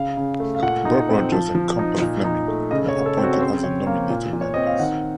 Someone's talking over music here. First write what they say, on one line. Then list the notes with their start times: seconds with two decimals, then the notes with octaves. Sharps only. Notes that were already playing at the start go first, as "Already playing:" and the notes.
Bob Rogers and Campbell Fleming were appointed as the nominated members.
Already playing: C#3 F5
0.17 C#3
0.40 A3
0.55 F5
0.62 A#2 F#5
0.85 D#4
1.09 C4
1.32 F3 A5
1.55 F3
1.79 D#4
2.02 A#2
2.24 D#4
2.48 A3
2.71 C#3 D#5
2.89 C#5
2.94 C#3
3.06 A4
3.17 C4
3.23 F#4
3.33 C#5
3.41 C#3 C5
3.63 C#3 C#5
3.87 A#3 F5
4.10 A#2
4.33 A#2
4.41 C#5
4.54 C4 D#5
4.67 F5
4.79 D#3 F#5